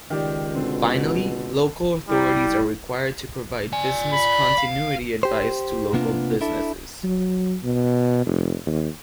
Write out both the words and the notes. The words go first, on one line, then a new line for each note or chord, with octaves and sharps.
Finally, local authorities are required to provide business continuity advice to local businesses.
C#2 D#3 G4 D5
B2 D3 C4
G3 E4
D5 G#5
B5
F5
G4 C5
C3 A#3 B3 D4 F4
D4 E4 A4
F#3
B2
F1
D#2